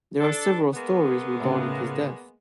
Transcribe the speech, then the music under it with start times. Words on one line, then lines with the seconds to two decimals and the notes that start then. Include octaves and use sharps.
There are several stories regarding his death.
0.20 D4 A4
0.74 G#3 A#3 B3
1.40 A2 C#3